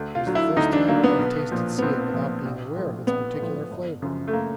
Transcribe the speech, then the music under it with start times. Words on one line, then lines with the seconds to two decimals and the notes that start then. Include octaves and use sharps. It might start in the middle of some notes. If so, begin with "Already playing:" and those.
It is the first time I have tasted seal without being aware of its particular flavour.
Already playing: D2
0.15 F4
0.25 D3 F#3
0.35 E4
0.56 D2 D#4
0.73 D4
0.88 F#3 A#3
0.92 D3
1.04 B3
1.19 B1
1.51 A#2 F3
1.78 B3
1.82 B1 C4
2.14 A#2 F3
2.45 A#1
2.76 A2 F3
3.07 A#1 B3
3.38 A2 F3
3.71 G1
4.02 F#2 C#3 F3
4.28 A3
4.33 A#3